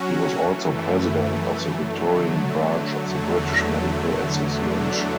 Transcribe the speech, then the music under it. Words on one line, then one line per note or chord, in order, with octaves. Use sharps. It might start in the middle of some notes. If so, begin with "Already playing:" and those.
He was also president of the Victorian branch of the British Medical Association.
Already playing: F#3 C#4 F#4
F#2 E3 A3
D3 F#3 A3
E2 D3 F#3 A3
E2 D3 F#3 A3 D4